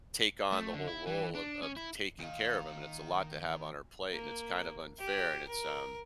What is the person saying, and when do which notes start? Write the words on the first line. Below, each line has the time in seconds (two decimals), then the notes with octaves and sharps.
take on the whole role of of taking care of him and it's a lot to have on her plate and it's kind of unfair and it's, um
0.52 A3
0.74 D3
0.87 E4
1.07 E3
1.35 D4
1.62 C#4
1.76 E4
2.19 A#2 D#3 D#5
4.12 A#3
4.99 G4
5.48 A#4